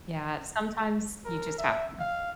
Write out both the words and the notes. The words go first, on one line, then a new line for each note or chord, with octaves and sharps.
Yeah, sometimes you just have to.
A#4
E5
F5